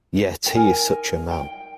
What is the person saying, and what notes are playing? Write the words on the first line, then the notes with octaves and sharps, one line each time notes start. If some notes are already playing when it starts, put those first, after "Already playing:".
Yet he is such a man!
G5
D#4 A#4 G#5
G5